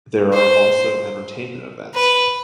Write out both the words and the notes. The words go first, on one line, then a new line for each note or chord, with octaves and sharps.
There are also entertainment events.
C5
B4